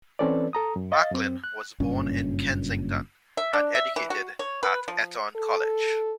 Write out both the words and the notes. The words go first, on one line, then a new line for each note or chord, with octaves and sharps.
Macklin was born in Kensington, and educated at Eton College.
E3 C4 C#4 A4 B4 D5
A4 A#5 D#6
F#2
D#5 F5 A6
F#2 C4
F#6
F#1 G2 A#2 C#4
E5
D4
E5
E3
F#4
C#5
B4
F3
A4